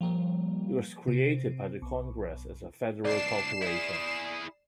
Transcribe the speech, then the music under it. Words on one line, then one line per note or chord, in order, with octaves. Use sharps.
It was created by the Congress as a Federal Corporation.
F3 G3 A#3
C3
B1
C2 D4 D5 C7 E7
E4 G#4